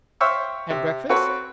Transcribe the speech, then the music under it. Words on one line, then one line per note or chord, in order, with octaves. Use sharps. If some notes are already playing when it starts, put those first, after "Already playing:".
"Had breakfast?"
C5 C#5 E5 F5 G5 C#6
C3
C4 F#4 A4 B4 C#5